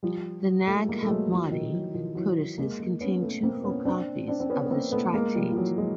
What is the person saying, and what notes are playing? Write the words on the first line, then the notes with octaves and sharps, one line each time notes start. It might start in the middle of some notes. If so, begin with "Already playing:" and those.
The Nag Hammadi codices contain two full copies of this tractate.
F3 G3
G3 A3
G#3 A#3
A3
F#3 G#3
E3 F#3
D#3 F3
E3 F#3
D#3 F3
E3 F#3
G#3 A#3
G#3 A#3
B3 C#4
A3 B3
A#3 C4
B3 C#4
C4 D4
C4 D4
C4
B3 C#4
B3
A#3 C4
A3 B3
G#3 A#3
F3 G3
F3
E3 F#3
F#3 G#3